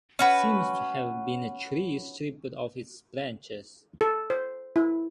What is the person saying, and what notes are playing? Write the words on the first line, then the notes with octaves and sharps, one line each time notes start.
It seems to have been a tree stripped of its branches.
C#4 F#4 B4
A4
C5
E4